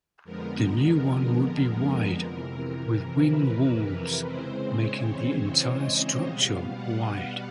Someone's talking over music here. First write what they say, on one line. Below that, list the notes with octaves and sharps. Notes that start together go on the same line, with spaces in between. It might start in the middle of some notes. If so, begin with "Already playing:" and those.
The new one would be wide, with wing walls making the entire structure wide.
F2 D3 F3 G#3 B3 A#4
A#4
F2 C3 E3
B4
C#3 E3 G#3 C4 C5
C#5
D#5
B2 G3 B3 F5
F#5